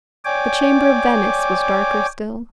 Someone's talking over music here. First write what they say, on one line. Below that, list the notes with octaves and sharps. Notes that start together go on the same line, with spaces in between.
The chamber of Venice was darker still.
C#5 D5 G5 G#5 D6